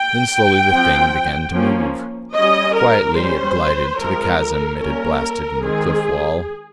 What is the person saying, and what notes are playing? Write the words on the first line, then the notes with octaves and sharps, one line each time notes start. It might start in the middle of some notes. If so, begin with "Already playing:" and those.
Then slowly the Thing began to move; quietly it glided to the chasm it had blasted in the cliff wall.
Already playing: G5
F3 C4
F3 A#3 C#4
G3 C#4 D#5
A#4
G3 C#4 C5
F3 G#3 C4 A#4
G3 A#3 C#4 A#4
D#3 G#3 C4 G#4